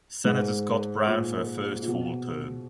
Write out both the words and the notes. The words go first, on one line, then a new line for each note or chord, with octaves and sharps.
Senator Scott Brown for her first full term.
G#2
A#2
A#2
B2